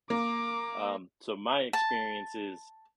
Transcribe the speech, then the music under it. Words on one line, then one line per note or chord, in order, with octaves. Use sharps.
Um, so my experience is,
A#3 D6
A5